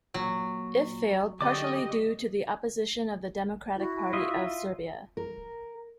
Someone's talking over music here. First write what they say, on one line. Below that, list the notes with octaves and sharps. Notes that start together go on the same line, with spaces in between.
It failed, partially due to the opposition of the Democratic Party of Serbia.
A#2 F#3
D3 G#3 F#4 G4 D5 D#5 D6
E4 F#4
F4 D#5 E5
A#4